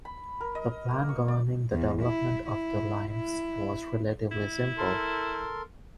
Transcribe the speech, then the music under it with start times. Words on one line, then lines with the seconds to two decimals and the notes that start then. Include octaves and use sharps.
The plan governing the development of the limes was relatively simple.
0.05 B5
0.40 A#4
0.55 D#5
0.91 A#3
1.09 C#6
1.28 D5
1.72 E2
2.02 E4
2.47 E4
3.11 E4
4.31 E4
4.78 A4 A#4 C6